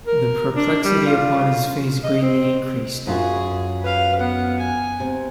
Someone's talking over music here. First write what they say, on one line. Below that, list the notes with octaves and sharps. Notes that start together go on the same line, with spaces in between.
The perplexity upon his face greatly increased.
A#4
D4
G3
F4
D#5
C4
F#2 F4 F#4 G#4
B4 F5
B3 F#5
G#5
C3